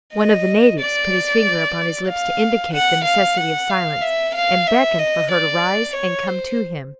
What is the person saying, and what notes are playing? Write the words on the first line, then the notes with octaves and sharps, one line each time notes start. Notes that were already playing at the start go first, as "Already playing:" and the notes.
One of the natives put his finger upon his lips to indicate the necessity of silence, and beckoned for her to rise and come to him.
D#5
D5
F5
F#5
F5
F#5
F5
E5
F5
E5
D#5
D5
C#5
C5